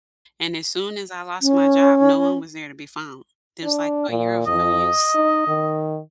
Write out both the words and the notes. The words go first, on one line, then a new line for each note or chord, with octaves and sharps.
And as soon as I lost my job, no one was there to be found, just like, "Oh, you're of no use.
C#4
D4
A#2
F2 D#5
D#4
D#3